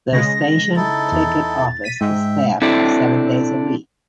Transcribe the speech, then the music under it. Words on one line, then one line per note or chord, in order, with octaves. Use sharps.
The station ticket office is staffed seven days a week.
C#3 G#3 A#6
D#4 E4 A4 A6
E2
B6 D#7
G#2 G#3 E5 G5
C4 D4 E4 A4